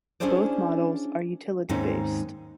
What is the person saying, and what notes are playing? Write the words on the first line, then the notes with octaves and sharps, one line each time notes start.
Both models are utility-based.
C#4 D4 E4 G#4 C5 D5
D#2 G#2 G#3 C4 C#4 D#4